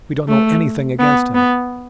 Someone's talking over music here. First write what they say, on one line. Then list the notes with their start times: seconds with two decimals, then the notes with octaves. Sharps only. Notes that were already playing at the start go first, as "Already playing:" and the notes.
"We don't know anything against him!"
0.28 A3
0.99 B3
1.35 B3